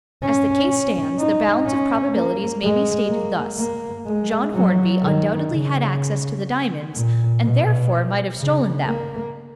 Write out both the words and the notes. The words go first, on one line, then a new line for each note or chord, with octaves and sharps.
As the case stands, the balance of probabilities may be stated thus: John Hornby undoubtedly had access to the diamonds, and therefore might have stolen them.
C#4
C#4
D#4
C#4
A#3
G#3
A#3
A#3
G#3
F#3
D#3
C#3
A#2
B2
C#3
A#3